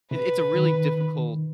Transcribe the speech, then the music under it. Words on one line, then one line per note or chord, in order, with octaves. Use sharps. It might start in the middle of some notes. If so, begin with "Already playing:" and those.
it it's a really difficult
C3 B4
D#3